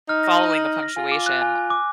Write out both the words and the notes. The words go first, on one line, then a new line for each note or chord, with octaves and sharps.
following the punctuation,
D#4 F6
A#6
D#7
F#7
F6
A#6
F4 G#5
D6
F#6
G#5
G#5
D6